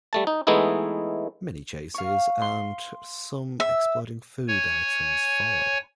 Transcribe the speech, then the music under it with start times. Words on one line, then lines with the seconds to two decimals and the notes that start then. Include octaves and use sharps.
Many chases and some exploding food items follow.
0.13 G3 A3 A5
0.27 D#4
0.47 E3 G#3 A3 B3 D#4 E4
1.94 F5 C#6
2.42 C6
3.60 E5
4.48 C#5 G#5